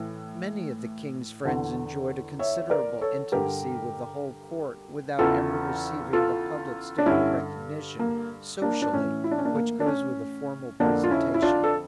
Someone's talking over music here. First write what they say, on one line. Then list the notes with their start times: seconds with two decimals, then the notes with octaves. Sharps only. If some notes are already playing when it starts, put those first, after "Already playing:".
Many of the king's friends enjoyed a considerable intimacy with the whole court without ever receiving the public stamp of recognition, socially, which goes with a formal presentation.
Already playing: A2 E3
1.45 E2 D3
2.39 C#5 E5
2.70 A#4 D5
3.01 A4 C#5
3.32 G2 D3 G4 A#4
5.19 E2 C#3 E3 F4 A4
6.13 F4 A4
6.98 D4
7.06 G2 D3 C#4 E4
7.99 A#3
8.62 A#3 D4
8.82 D4
8.93 A2 E3 C#4
9.24 E4
9.31 D4
9.38 C#4
9.45 A#3 D4
9.55 A#3
9.80 D4
9.86 C#4
10.80 F2 D3 A#3 D4
11.04 F4
11.10 C#4 E4
11.34 E4
11.42 D4 F4
11.64 A4